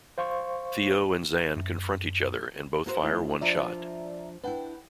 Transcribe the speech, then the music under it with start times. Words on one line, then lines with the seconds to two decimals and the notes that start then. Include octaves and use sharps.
Theo and Xan confront each other and both fire one shot.
0.18 C5 F5 C6 C#6
1.57 F#2
2.86 A#3 F#4 C5
3.03 D#2 A3 E4
3.41 F3 D4 F4 D5 E5 A#5
4.44 D4 E4 B4 F#5 G5